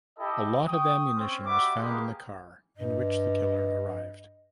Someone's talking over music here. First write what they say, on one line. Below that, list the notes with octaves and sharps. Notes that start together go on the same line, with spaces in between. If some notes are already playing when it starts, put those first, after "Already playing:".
A lot of ammunition was found in the car in which the killer arrived.
E4 G4 A4 D#5
G5 C#6 D#6
C4 C#4
G3 F#4 G4 E5 D6
G#3 A#3 B3 G4 G#4
G2 D#5